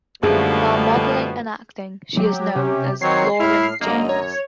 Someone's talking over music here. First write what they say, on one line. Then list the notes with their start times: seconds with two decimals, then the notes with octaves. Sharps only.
While modeling and acting, she is known as Lauren James.
0.23 F#2 B2 D3 F3 G3 A3 A#3 G#4
2.17 F#3 G4
2.56 C3 C#4
3.02 D#3 F#3 C4 C#5 C7
3.40 A2 E4 F6
3.81 F#2 D3 A#3 D#5 A#5
4.09 C#5